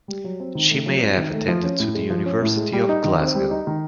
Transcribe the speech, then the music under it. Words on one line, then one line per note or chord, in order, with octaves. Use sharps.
She may have attended the University of Glasgow.
G3
F#3
C4
D#3
A3
F#3
C4
D#3
A3
F3
C#4
A2
G#3
F3
C#4
A2
G#3
G3
D#4
D#3
C4
G3
D#4
D#3